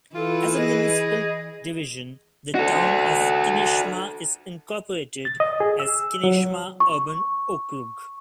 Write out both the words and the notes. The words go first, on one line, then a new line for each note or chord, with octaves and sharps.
As a municipal division, the Town of Kineshma is incorporated as Kineshma Urban Okrug.
E3 E4 F4 A4 B4
G#4 D#5
F#4 A4
A6
D#5
G#4
E6
F#3
C#6